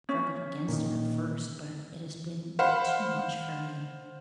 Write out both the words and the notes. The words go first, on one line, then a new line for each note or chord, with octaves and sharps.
I struggled against it at first, but it has been too much for me.
C#4
A#2 D#3
C5 F5 F#5 B5